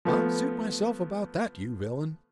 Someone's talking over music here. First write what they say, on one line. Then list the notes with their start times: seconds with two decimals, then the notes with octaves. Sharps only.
"I'll suit myself about that, you villain!"
0.05 F3 A3 B3